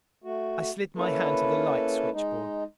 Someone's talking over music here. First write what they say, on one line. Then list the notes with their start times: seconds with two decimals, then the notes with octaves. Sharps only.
I slid my hand to the light switchboard.
0.24 A3 F#4
0.97 A#3 C#4 E4 A4 B4
2.13 G#3 D#4